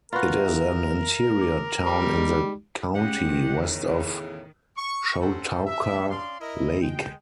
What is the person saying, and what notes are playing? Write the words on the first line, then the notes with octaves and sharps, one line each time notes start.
It is an interior town in the county, west of Chautauqua Lake.
F4 F#4 A#4 B4 B5 A6
E5
D6
G3
G#3 D#4 G4
C#3 G#3 G4 F#5
D#3
E2 A2 C#3
C#6
C4 C#4 F#4 A4 C5 F#5
E5
C#4 D5 F5 C6
E4 A#4 D#5
G#3 G5